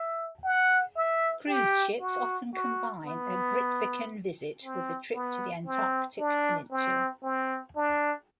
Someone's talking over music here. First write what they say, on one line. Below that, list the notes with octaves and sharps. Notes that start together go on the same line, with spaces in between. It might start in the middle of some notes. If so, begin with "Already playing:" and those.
Cruise ships often combine a Grytviken visit with a trip to the Antarctic Peninsula.
Already playing: E5
F#5
E5
G4
F#4
F#4
B3
C4
B3
C4
D4
C4
C4
D4